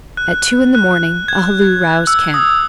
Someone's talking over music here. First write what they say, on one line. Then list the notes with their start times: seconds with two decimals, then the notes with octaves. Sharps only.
At two in the morning a halloo roused camp.
0.17 F#6
0.75 F#6
1.28 G#6
2.07 E6
2.34 D#6